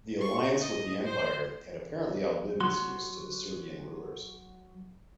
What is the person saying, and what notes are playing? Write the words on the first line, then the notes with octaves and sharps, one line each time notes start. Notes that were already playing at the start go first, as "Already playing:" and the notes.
The alliance with the Empire had apparently outlived its use to the Serbian rulers.
C#6
D#5
C5
F#3 F#4 C6